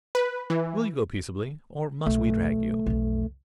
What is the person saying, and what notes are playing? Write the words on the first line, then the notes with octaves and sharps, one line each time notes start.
"Will you go peaceably or must we drag you?"
B4
E3
B1 A3
B1 F2